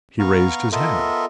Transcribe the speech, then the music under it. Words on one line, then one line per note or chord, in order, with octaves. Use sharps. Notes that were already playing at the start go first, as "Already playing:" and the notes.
He raised his hand.
B3 F5 A#5 C#6
B3 F4 A4 A#4 D#5 E5